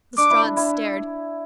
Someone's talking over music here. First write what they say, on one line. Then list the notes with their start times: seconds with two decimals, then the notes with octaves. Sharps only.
Lestrade stared.
0.18 D4 D6
0.30 E4
0.44 D4
0.57 E4